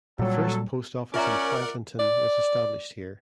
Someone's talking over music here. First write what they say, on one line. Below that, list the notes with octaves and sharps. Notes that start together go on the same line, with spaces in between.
The first post office in Franklinton was established here.
A#2 F#3 G3 A4
C#4 F4 A#4 D5 E5 F#5 A#5
D5